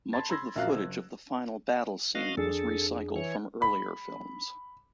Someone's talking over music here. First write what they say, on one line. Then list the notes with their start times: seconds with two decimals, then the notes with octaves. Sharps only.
Much of the footage of the final battle scene was recycled from earlier films.
0.13 A5 B5 C6 G#6 A6
0.29 B5 C6 E6 G#6 A#6
0.56 A#1 F#2 F#4 F5 F#6
0.74 F#1 E6
2.15 F#4 D#5 F5
2.37 F2 D4 G#4 A4
3.16 E3 C#5
3.62 B5